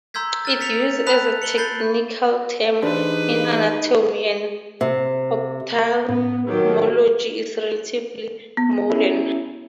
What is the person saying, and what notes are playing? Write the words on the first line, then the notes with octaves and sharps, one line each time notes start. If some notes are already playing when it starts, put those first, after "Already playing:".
Its use as a technical term in anatomy and ophthalmology is relatively modern.
A#5 C6 E6 G6 G#6 B6
F6 A6
A6 B6 C#7 F7
A5 B5 D#6 F#6 B6 F7
C#7 F#7 G7
B5 G6 A6 C7 G7
E3 D4 D#4 G4 G#4 B4 C5
C3
A2 B3 C#4
D#3 F#3 G4
B3
C#4 E4 E5